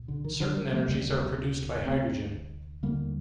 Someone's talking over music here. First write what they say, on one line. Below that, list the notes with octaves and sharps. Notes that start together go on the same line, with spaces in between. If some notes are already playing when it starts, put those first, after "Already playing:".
Certain energies are produced by hydrogen.
Already playing: C2 A#2
D3
D#3
D3
D#3 G3
F3 A3
D2 C3 G3 A#3
A3 C4
D#2 D3 G3 A#3